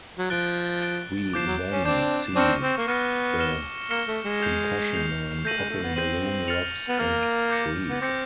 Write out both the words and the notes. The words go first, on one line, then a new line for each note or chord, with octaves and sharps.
We then see the Pincushion Man popping balloon rocks and trees.
F#3
F3 F#6 A6 D7 G7
F#6 A6 D7 G7
F3 D6 G6 C7 E7
F#3
C#4
C4 D4 D6 G6 C7 E7
C4 D4 C#6 F6 A#6 C#7
C4
A#3
B3 C#6 F6 A#6 C#7
F6 A#6 C#7 E7 G7
A#3 F6 A#6 C#7 E7 G7
A3
G#3
G6 C7 F7
G6 C7 F7
A3 G6 A#6 D#7 F#7
G#3
A3
B3
C4 G6 A#6 D#7 F#7
F6 A6 C#7 F7
B3
A#3 F6 A6 C#7 F7
D6 G6 A#6 C#7
B3
C4 D6 G6 A#6 C#7